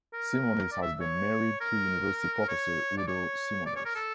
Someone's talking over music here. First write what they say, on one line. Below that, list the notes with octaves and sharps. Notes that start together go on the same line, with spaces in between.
Simonis has been married to university professor Udo Simonis.
A#4
D5
E5
C#5
A#4
C#5
D5
C#5
D5
C#5
A#4
A4